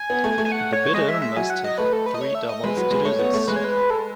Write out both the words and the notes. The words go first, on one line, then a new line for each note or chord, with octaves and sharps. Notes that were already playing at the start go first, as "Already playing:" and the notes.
The bidder must have three doubles to do this.
Already playing: G#5
B3
A3
A3
G#5
F#5
C#5
G#3 D#5
E5
E5
F#3 G#5
F#5
D#5
A3 B4
A4
B4
D#5
C#5
E5
D#5
G#3 B4
F#3
G#3
A3 C#5
B3
A3
G#3 B4
C#5
B4
A4